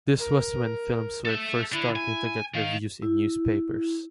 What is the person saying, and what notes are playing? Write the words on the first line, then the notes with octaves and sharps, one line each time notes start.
This was when films were first starting to get reviews in newspapers.
A#4
A4 E5
D3 E4
G#5
D#3 F5
E4